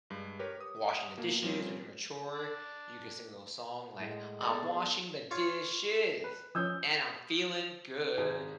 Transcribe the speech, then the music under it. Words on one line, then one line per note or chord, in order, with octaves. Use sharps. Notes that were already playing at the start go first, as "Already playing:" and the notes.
washing the dishes or doing a chore, you could sing a little song like, "I'm washing the dishes, and I'm feeling good."
G2 G#3
G4 A#4 B4 C#5
D#6
B2 A#3
F3 G3 C4 C#4
D4
A2 G#3 F#5
B3 G#4 A4 D5 A#5
F4 C#5 F5
B4
F3 C#4 D#6 E6 G6
G#1 G#4